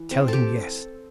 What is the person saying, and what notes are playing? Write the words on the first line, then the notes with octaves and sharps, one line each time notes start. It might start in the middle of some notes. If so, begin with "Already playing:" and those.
"Tell him yes!"
Already playing: E3
C4
G4 A4